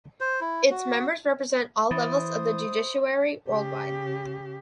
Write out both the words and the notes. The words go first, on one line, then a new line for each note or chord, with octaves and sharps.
Its members represent all levels of the judiciary worldwide.
C5
E4
F#4
E3 C5 E5 B5 D#6 A6
C#3 G4